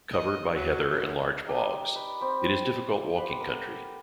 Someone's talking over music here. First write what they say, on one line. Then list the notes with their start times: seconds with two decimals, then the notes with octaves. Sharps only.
Covered by heather and large bogs, it is difficult walking country.
0.14 D#5
0.56 F#3
0.91 F#2
1.46 D#4 G4 D5 D#5
1.92 G4 B4
2.20 C4 G5 B5 D6
3.17 G4 B4 C5 F#5
3.40 B3 A4 A#4